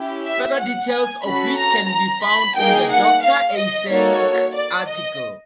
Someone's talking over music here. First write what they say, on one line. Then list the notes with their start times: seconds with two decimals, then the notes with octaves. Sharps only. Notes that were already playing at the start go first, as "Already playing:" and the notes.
Further details of which can be found in the Doctor Eysenck article.
Already playing: C#4 E4 G4
0.25 E5
0.58 F#5
0.91 G#5
1.24 C#4 F#4 A4 B5
1.58 A#5
1.91 A#5
2.24 B5
2.57 A#3 D#4 G#4 G5
2.89 F#5
3.22 F5
3.56 D#5
3.89 A#3 D#4 F#4 A4 C#5
4.55 D5
4.88 D#5